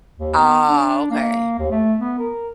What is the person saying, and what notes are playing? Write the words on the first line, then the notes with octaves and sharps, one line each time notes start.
Ah, okay.
D#2
B3
D4
A#3
D#2
A3
B3
A#4